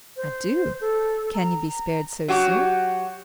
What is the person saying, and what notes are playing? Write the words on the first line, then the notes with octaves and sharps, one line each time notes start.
"I do: can you be spared so soon?"
C5
A4
A#5
F#3 F#4 G4